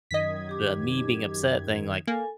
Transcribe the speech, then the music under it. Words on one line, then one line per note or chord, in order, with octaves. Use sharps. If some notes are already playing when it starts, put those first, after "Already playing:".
the me-being-upset thing, like,
F#2 D#3 D#5 G#6 B6
G4 D6
A#3 A4 G#5